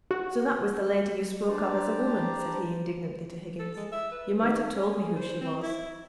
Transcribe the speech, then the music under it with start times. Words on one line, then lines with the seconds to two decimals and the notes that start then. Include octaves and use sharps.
'So that was the lady you spoke of as a woman?' said he indignantly to Higgins. 'You might have told me who she was.
0.11 F#4
1.46 D4 G4 B4 C5 D5 A#5
3.59 A4
3.76 G#3
3.92 E5
4.11 B4
4.42 D#3
4.75 C#4
4.91 G#4
5.16 C5
5.41 C4
5.62 E4